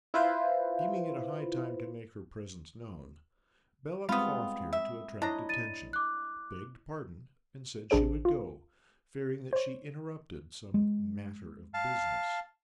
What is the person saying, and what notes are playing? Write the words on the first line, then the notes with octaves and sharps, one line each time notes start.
Deeming it high time to make her presence known, Bella coughed here to attract attention, begged pardon, and said she would go, fearing that she interrupted some matter of business.
E4 F4 B4 C5
G3 G#3 B3 C4 F4 B5 D#6
E5
D4 E4 C#5 D#5 A#5
A6 D#7
D6 F#6
A1 D4 G#4 C5 D7
F4
C5 C#5
G#3
F5 A5